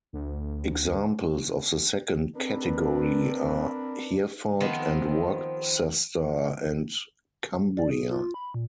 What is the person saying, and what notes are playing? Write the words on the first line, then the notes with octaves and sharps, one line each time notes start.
Examples of the second category are Hereford and Worcester and Cumbria.
D2
C4 D4 A#4 B4
D#3 F3 B3 C4
D5
G#4
F4
B5
A#2